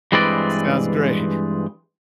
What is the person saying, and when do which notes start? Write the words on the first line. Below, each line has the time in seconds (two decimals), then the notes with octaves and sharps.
Sounds great.
0.12 G2 E3 G#3 C4 B4 D5